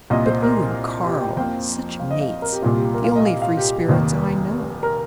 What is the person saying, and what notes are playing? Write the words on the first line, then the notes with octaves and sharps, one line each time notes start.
But you and Karl--such mates--the only free spirits I know!
C2 A#2 A#3 D#5
C5
A#4
G4
G5
F2 F3 A#3 G5
F5
D#5
F5
A#4
G4
C2 A#2 G3 A#3 F4
G4
A#4
F5
D#5
F5
F5
G4
F1 D#2 D#3 A#3
A#4